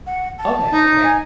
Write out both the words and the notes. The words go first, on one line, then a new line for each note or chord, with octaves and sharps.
Okay, okay.
F#5
A5
D#4
G#5